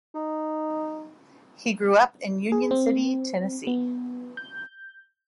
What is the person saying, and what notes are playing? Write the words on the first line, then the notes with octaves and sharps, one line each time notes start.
He grew up in Union City, Tennessee.
D#4
G#4
C4
B3
G6